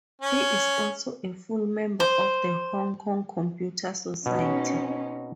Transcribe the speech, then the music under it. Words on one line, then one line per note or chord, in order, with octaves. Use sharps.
He is also a full member of the Hong Kong Computer Society.
C#4
C5
B2 C4 C#4 D#4